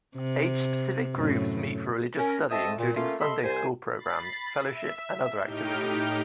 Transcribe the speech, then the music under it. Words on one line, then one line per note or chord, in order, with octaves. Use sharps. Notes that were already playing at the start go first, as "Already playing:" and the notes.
Age-specific groups meet for religious study including Sunday school programs, fellowship, and other activities.
C3
F#2 A2
C#4 A#4
A3 C4 D#5 E5 A5 D#6
A#2
A3 A#3 C#4 F4
A4 D#5 E5 B5 C6
C2 C5 G#5
B5 A6 C7
E5
A2 D#4 G4 F6 G6 D7